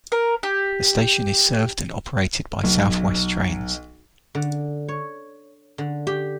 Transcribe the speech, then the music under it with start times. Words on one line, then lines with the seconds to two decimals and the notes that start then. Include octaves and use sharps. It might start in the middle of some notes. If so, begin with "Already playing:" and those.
The station is served and operated by South West Trains.
0.12 A#4
0.43 G4
2.64 B1
4.35 D3
4.88 C#5
5.78 D3
6.07 G4